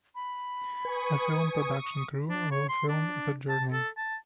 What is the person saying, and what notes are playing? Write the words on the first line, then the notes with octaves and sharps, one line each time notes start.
A film production crew will film the journey.
B5
B4 G#5 C#6 D#6
D4
C#5
C6
D4
A5
A4
A5